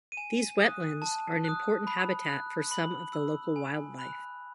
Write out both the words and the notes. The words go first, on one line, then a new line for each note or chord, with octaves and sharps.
These wetlands are an important habitat for some of the local wildlife.
D#7
G#5 E7
D#6 F#6
A5
D#6 F#6
B5
F#6
B5 F#7
E6
G#5
B5 F#6